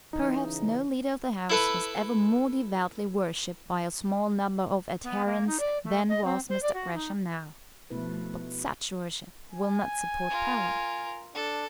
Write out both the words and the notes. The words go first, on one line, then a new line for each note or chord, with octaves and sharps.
Perhaps no leader of the House was ever more devoutly worshipped by a small number of adherents than was Mr. Gresham now; but such worship will not support power.
C#3 E3 D#4
E4 A4 B4
B3
A#3
D#4
D5
A3
D#5
C4
C5
D5
F#4
D#4
B2 F3 A3 E4 B4
G#5
F4 A#4
D4 A4